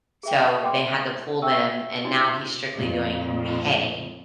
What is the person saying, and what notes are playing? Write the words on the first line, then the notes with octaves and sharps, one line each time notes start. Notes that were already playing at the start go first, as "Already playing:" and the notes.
so, they had to pull them, and now he's strictly doing hay
G#4 E5 G5
A4 D5 F#5 G5 C6 D6
C#5
E5 G5 C#6 E6
D4 E4 F#4 D5 C6
F2 A#2